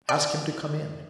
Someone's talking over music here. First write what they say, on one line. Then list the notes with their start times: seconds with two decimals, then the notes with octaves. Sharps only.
Ask him to come in.'
0.09 D5